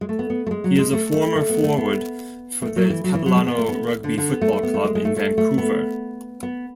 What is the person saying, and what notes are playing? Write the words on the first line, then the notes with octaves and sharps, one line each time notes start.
He is a former forward for the Capilano Rugby Football Club in Vancouver.
G#3
A3
B3
B3
A3
G#3
F#3
G#3
A3
A3
A3
B3
A3
B3
A3
F#3
E3
F#3
E3
F#3
G#3
B3
A3
B3
D3
D3
B3
A3
A3
B3
A3
G#3
G#3
A3
A3
A3
B3
B3